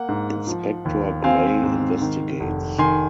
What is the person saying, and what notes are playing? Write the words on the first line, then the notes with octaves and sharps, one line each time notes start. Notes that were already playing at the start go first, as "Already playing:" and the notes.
Inspector Grey investigates.
Already playing: A#3 F#5
G#2
F3
D#2
C4 F5 G#5
G#2
D#3
F1
D#3 G#5 C6